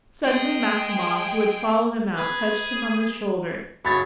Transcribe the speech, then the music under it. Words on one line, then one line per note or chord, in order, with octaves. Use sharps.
Suddenly Maximov, who had followed him out, touched him on the shoulder.
G#3 G5
G#4 B4
F#2 C#3 C#5 B5 A6